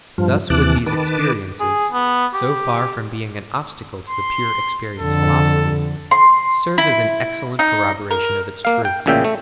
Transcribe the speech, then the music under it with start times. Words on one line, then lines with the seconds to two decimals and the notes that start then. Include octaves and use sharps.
Thus would these experiences, so far from being an obstacle to the pure experience philosophy, serve as an excellent corroboration of its truth.
0.18 G2 F3
0.50 D#2 C3 E3 A5 D6 F#6
0.86 D#3 B4 A5 D6
1.60 G#4
1.92 B3
2.34 G4
4.09 C6
5.00 F2 D3 A4
6.11 C6
6.78 E4
7.59 D#4
8.11 A#4
8.65 A#3 F5
8.85 G5
9.06 A1 A#2 C#3 E5 G5
9.24 A3